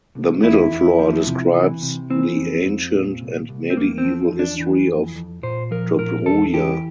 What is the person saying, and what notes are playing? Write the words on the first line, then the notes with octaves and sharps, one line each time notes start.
The middle floor describes the ancient and medieval history of Dobruja.
C2
E2 E4
E2
F3
C3
E3
C3
E3 C4
F2
F2
A#2
C2
C2
C4
E2 A#3
C4
F3
E2
D4
E3
F2
F2
A#2 C5
F3 A#4
A#2 A#4
E2 A4
E3 G4